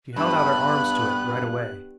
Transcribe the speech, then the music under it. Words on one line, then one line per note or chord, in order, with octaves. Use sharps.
She held out her arms to it right away.
G2 B3 B5 F#6